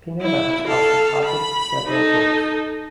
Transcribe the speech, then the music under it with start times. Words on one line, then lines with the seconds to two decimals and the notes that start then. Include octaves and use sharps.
Pineda has also published several books.
0.21 E4
0.67 A4 F5
1.25 B5
1.87 D#4 A4